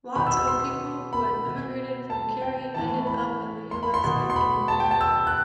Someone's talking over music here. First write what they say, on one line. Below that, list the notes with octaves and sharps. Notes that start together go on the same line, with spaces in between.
Lots of people who had emigrated from Kerry, ended up in the US and England.
B2 B5
E6
E6
C6
B5
B2
A5
G5
A2 E3 A5
B5
C6
B5
C6
B2 C6
C6
B5
A5
G5
A5
E6
F#6